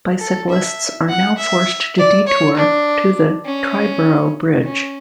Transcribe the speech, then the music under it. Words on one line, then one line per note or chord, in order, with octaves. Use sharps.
Bicyclists are now forced to detour to the Triborough Bridge.
A4
E5
F#5
E5
D5
C#5
D4
C#4
C#4